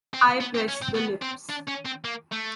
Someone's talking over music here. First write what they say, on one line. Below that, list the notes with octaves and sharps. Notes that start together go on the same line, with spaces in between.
I press the lips.
C4
B3
C4
C#4
C4
B3
C4
D4
C#4
C4
A#3
A3